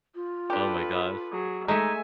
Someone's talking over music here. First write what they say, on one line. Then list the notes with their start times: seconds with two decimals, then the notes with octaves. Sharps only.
Oh, my gosh.
0.15 F4
0.50 D4 G4 A4 B4
1.32 F#3 G#4
1.68 G#3 A3 D#4 E5 G#5